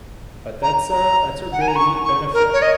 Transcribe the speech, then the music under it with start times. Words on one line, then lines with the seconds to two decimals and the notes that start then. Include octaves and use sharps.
But that's a that's a really neat benefit.
0.63 A#5
0.91 A#5
1.52 F#5
1.61 G#5
1.68 A#5
1.76 C#6
2.05 C#6
2.33 A#4
2.53 C#5
2.62 D#5